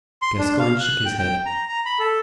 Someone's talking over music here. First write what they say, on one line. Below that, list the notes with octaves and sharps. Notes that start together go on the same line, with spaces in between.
Gascoyne shook his head.
C6
D4
F5
F#6
G5
G5
A#5
A#5
B5
A4